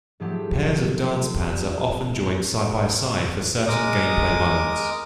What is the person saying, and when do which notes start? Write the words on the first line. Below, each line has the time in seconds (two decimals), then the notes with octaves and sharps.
Pairs of dance pads are often joined side-by-side for certain gameplay modes.
0.20 G#2 F3 F#3 A3 G4
3.68 G#3 A#4 D6 D#6